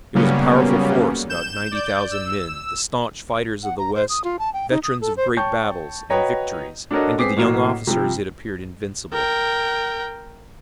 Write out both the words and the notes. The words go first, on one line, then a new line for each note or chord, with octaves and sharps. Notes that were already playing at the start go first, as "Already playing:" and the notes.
It was a powerful force, about ninety thousand men, the staunch fighters of the West, veterans of great battles and victories, and to the young officers it appeared invincible.
C#3 F#3 G3 A#3 B3 C#4
G6 E7
D5 G6
E6
F#5
A#5
C5
D#6
F4
A5
G5
D#4
D#6
A4
C5
C#5 G5 A5 C#6 G6
F#4 B4 C#5 D#5 G5 A#5
D4 F#4 A4 A#4 C#5 D#5
B3 C4 G#4 D6 B6 C7
A1 A2 F#3 A#3 F#4 E7
C3 F3 G3
A#4 G5